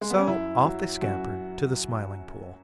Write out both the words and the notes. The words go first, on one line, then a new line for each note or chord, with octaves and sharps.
So off they scampered to the Smiling Pool.
G#3
B3
C#4
F#2 E4
F#3
F#2 F#4